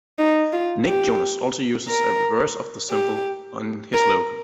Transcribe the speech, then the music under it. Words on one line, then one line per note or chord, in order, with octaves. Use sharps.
Nick Jonas also uses a reverse of the symbol in his logo.
D#4
F4
G4
A#4
G4
A#4